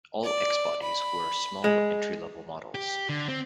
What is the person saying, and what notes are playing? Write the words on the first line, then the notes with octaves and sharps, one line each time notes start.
All X-bodies were small entry-level models.
D5
B5
G#3
G4
D3
C4